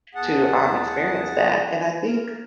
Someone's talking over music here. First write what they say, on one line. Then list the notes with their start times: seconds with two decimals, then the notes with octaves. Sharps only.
to, um, experience that, and I think
0.15 E2 G#4 F#5 A5
2.06 A#4